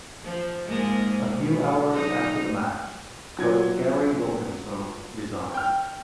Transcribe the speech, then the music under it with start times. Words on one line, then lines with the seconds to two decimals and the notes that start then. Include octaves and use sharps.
A few hours after the match, Coach Gary Wilkinson resigned.
0.24 F3
0.66 G#2 G#3 A#3
1.32 B2
1.93 F#3 D#4
3.39 F#3 F4 G#6
5.54 G5 F6